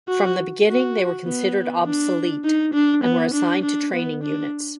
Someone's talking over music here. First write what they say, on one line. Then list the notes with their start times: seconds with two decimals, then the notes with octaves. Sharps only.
From the beginning they were considered obsolete, and were assigned to training units.
0.08 F#4
0.67 F#4
1.26 B3
1.86 D4
2.45 D#4
2.74 D4
3.04 B3
3.34 D4
3.63 D4
3.93 B3
4.23 D4